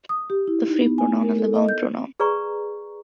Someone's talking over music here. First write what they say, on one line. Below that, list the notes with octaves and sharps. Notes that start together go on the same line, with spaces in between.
The free pronoun and the bound pronoun.
D#6
G4
E4
D#4
B3
G#5
A#4
A4
D#5
G6
G#4 B4 D5 A#5 C#6